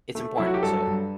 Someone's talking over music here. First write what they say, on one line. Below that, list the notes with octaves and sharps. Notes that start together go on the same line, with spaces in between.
it's important, so
A3
F#3 E4
F#4
G4
G2 A4
G2